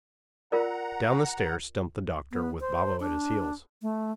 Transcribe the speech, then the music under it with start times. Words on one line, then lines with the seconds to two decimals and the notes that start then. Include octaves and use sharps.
Down the stairs stumped the doctor with Babo at his heels.
0.52 F4 A#4 D5 F#5 A#5
2.32 B3
2.60 C5
3.00 D4
3.82 A3